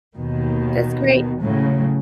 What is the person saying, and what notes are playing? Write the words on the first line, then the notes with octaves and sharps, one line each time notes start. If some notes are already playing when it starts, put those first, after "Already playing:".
That's great.
D#2 B2 D#3
A2 C#3 F#3